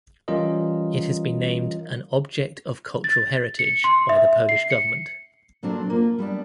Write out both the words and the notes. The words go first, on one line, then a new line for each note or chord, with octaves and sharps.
It has been named an "object of cultural heritage" by the Polish government.
E3 G3 C#4 F4 A#4 D#5
A6
C#7
C6
E5
C7
C#7
A#2 F#3 A3 C4 D4
A#3 F4
G3 B3 D4